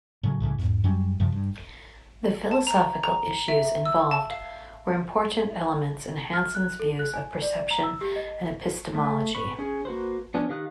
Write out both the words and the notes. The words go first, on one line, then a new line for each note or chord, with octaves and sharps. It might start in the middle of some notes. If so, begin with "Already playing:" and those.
The philosophical issues involved were important elements in Hanson's views of perception and epistemology.
A2 C#3 F#3
C2 A2 C#3 E3
E2 G#2
F#2 F#3 G3 C#4
F#2 C3 F3
G2
A5
A#5
A#5
E5
E6
A5
F5
F6
F#6
A4
F#6
G#5
D5
A#5
E6
G4
D#5
A3
B4 B5 C#6
C#4 G#4
A#3 F#4 B4 C5
F3 B3 C#4 D4
D#3 G4 F5 D#6 F#6